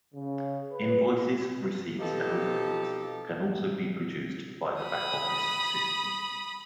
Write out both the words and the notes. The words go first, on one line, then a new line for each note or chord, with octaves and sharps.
Invoices, receipts, and reports can also be produced by the back-office system.
C#3
B4
B2 F3 C4 D#4 G4 A4
B5 D#6